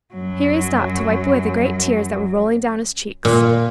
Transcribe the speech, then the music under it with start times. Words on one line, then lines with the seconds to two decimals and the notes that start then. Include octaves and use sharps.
Here he stopped to wipe away the great tears that were rolling down his cheeks.
0.14 F#2 F#3
3.25 A#2